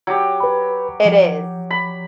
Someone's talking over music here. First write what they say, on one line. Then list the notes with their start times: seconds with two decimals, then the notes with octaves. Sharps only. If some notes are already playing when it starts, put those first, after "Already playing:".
It is.
0.07 F#3 G4
0.40 B4 B5
1.05 F3
1.71 B5